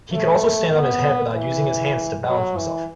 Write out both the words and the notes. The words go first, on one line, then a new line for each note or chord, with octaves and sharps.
He could also stand on his head without using his hands to balance himself.
A3
B3
E3
F#3
E3